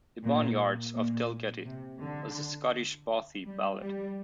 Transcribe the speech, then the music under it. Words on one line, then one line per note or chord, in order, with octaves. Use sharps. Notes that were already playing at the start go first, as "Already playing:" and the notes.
"The Barnyards of Delgaty" is a Scottish Bothy ballad.
A#2
A#2
C3
D3
G3
G3